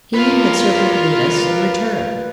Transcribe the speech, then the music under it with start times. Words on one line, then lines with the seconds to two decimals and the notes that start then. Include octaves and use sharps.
He had circled Venus and returned.
0.14 F4 A#4 B4 F5